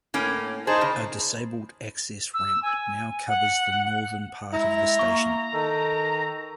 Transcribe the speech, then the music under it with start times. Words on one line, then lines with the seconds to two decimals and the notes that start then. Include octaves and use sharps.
A disabled access ramp now covers the northern part of the station.
0.14 A2 A#3 C#4
0.67 D#4 G#4 C5 A5
0.81 C#3
2.34 E6
2.63 G#5
3.27 F#5
4.53 G#3 E4 A#5
4.99 A#3 C#6
5.54 D#3 A4